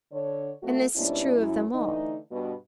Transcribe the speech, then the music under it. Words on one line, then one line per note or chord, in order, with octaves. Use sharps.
And this is true of them all.
D3 C#5
F2 A3 C4 F#4
G#2 B2 G3 C#4 D4 E4
F#2 E4
D3 E3 A3 D#4
G2 B2